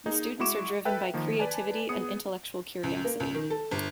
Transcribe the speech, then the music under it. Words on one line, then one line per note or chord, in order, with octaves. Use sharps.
The students are driven by creativity and intellectual curiosity.
A#3 D#4 G#4
G#3 E4 F#4 C#6 D6 E7
A4 B4 E5 G5
D#3 F3 A#3
B4 D5 G#5 A5
B3 G#4 D#6 C#7
C#2
A#3
C#2
D#3
A4
G1